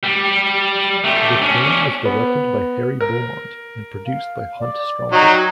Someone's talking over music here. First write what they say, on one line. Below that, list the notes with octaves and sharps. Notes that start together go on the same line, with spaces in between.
The film was directed by Harry Beaumont and produced by Hunt Stromberg.
G3
A3 G4
C#4 D4
B3
A#4
F5
D5
F#3 D#4 G5